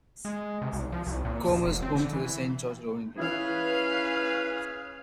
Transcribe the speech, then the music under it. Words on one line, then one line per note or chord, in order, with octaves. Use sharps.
Como is home to the Saint George Rowing Club.
G#3
C3
C2
F3
C2
A#2
D2
F1
C4
D3
E3
E3 C#4 E4 G#4 B4 F5